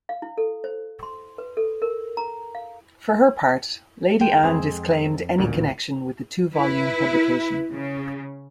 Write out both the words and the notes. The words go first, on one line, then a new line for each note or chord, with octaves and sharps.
For her part, Lady Anne disclaimed any connection with the two volume publication.
F5
E4
A4
C5
C6
B4
A4
A#4
A#5
F5
E2 G#3 G5
F2 G#2 G#3 C4 G#4
A1 D2 A#2
E4 B4
C#3